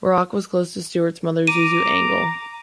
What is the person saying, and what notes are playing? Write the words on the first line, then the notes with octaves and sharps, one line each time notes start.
Buarque was close to Stuart's mother, Zuzu Angel.
A#5 D6 D#7